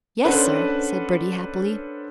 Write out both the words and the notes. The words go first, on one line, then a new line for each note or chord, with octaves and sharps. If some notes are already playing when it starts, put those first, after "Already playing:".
"Yes, sir," said Bertie happily.
C#4 D4 A4 B4 C5 F#5